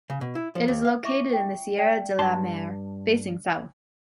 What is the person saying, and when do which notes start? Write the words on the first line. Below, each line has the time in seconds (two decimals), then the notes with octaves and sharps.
It is located in the Sierra de la Mar, facing south.
0.10 C#3
0.21 B2
0.35 E4
0.55 F3
0.68 D#2
0.85 F5
1.03 E4 E5 C#6 D6
1.33 G5
1.78 D5 G5 A5
2.19 G2 A5 C6